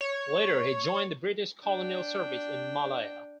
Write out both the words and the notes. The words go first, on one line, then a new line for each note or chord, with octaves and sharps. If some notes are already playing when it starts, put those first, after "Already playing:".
Later he joined the British colonial service in Malaya.
C#5
D4 G5